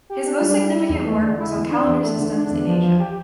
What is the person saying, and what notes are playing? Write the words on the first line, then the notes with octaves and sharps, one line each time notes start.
His most significant work was on calendar systems in Asia.
G4
D4
G3
G3
E4
E2
A3
D3
E4
E2
D4
E2
A3
D3
D4
E2
F3
F3
G4